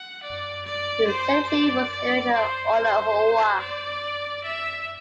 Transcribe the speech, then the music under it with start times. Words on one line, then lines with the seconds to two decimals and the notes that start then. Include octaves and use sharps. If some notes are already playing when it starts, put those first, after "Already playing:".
Its secretary was Erich Ollenhauer.
Already playing: F#5
0.23 D5
0.65 D5
1.07 C5
1.49 D5
1.91 D5
2.33 C5
2.75 C5
3.60 D5
4.44 E5